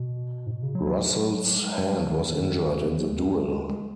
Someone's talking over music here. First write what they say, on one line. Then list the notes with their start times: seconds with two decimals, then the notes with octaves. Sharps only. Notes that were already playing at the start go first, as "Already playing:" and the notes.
Russell's hand was injured in the duel.
Already playing: B2
0.46 G#2
0.51 B2
0.63 C#3
0.75 F#3
0.87 F#3
1.58 G#3
1.93 F#3
2.11 D#3
2.99 F#3
3.11 G#3
3.23 F#3
3.35 G#3
3.52 G#3
3.69 G#3